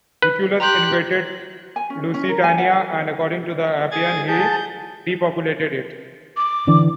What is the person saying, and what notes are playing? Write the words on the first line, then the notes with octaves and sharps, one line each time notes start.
Lucullus invaded Lusitania and, according to Appian, he depopulated it.
B4
G4 A#5 C6 F#6 G6
G#5
C#4
C#4
A#4
G#5
F#5
G#4 G#6 A6
G#4 F#5 A5 G6
D6
D3 E3 D4